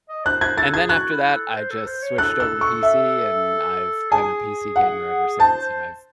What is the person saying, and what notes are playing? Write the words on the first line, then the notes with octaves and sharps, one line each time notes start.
and then after that I just switched over to PC and I've been a PC gamer ever since, and I've
D#5
C5 F#6
C5 G#6
A4 A6
G#4 G#6
F#4 F#6
E4
A4
C5
A4
C5
C#5
A4 F#6
E6
C#6
E5
G#4 G#5
F#5
C5 A5
C5